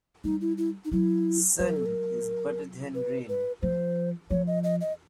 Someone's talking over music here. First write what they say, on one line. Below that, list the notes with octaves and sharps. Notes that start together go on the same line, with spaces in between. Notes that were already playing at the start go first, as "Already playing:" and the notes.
Sun is better than rain.
G3 D#4
E4
E4
D#4
F#3 E4
F#3 B4
A#4
A4
A#4
B4
B4
F3 C5
F3 C#5
D#5
D#5
D#5